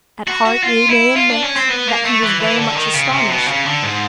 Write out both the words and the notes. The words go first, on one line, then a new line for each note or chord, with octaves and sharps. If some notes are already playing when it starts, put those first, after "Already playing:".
At heart we may admit that he was very much astonished.
F#4
F#4
F4
E4
F4
D4
C#4
C4
B3
A#3
A3
E3
E3
D3
D#3
C#3
C3
B2
C#3
D3
G#2